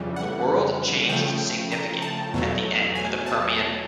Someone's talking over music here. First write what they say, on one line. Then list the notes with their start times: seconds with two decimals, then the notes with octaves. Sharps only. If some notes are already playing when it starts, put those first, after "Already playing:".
The world changed significantly at the end of the Permian.
Already playing: F2 C#3 E3 G3
0.16 F#5
1.09 C#3 F3 A3 G5
1.72 A#5
2.02 A5
2.33 E2 B2 F#3 A3
2.95 G#5
3.26 A5